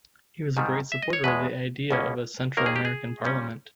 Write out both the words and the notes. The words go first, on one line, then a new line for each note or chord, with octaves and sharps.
He was a great supporter of the idea of a Central American Parliament.
G#2 D#3 G3
E5
D#5
C#5
E2 B2 G#3 B4
C#2 B2 A#3 C#4
D#2 D#3 A#3 A#4
G#4
G4
G#4
A#2 G3 C#4